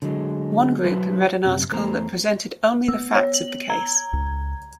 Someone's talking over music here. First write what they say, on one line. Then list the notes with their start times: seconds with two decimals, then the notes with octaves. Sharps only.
One group read an article that presented only the facts of the case.
0.02 D3 F#3 G#3
0.84 F#3 E4 F#4 B4 C5
1.45 F#2 C3
1.72 E2 A3 C5 A#5
2.88 B3 E6
3.15 C#5
3.34 F#7
3.70 A#5 G#6
4.13 C#2